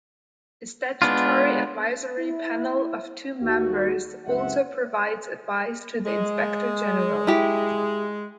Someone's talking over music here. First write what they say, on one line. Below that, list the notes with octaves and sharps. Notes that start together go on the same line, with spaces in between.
A statutory advisory panel of two members also provides advice to the Inspector-General.
G#3 B3 D4 F4
E4
D#2 F#4
F#1 C#2 C4 G4 E5 F#5
G#3
E4 G4